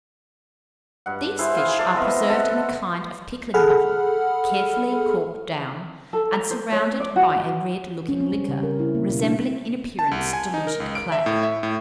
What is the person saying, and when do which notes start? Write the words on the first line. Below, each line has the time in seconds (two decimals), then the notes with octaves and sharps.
These fish are preserved in a kind of pickling-bottle, carefully corked down, and surrounded by a red-looking liquor, resembling in appearance diluted clay.
1.06 G2 F#5
1.39 E4 G#4 C5
1.57 G#4 F5
1.78 A4 C5 D5 D6
1.96 B3 C4 D#5 E5
2.29 A4 F#5
3.54 G#4 A4 F#5 B5 F6
6.13 A4
6.32 A#5
6.51 C5
6.72 C#5
7.00 D5
7.16 F#4
8.09 C#4
8.20 C4
8.33 G3
8.48 C#3
8.63 A#4
8.79 E4
8.95 A#3
9.10 B2
9.22 D4
9.99 A5
10.11 C2
10.33 G#5
10.54 D#4
10.67 A#4
10.80 C#2
10.95 D7
11.12 E5
11.26 A2
11.43 E5
11.63 A2